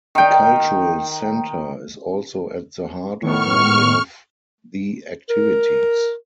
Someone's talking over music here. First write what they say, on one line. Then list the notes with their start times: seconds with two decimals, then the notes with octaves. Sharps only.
The cultural centre is also at the heart of many of the activities.
0.15 D#3 G5
3.21 A2 D#3 B3 C#6 F6
5.30 A#4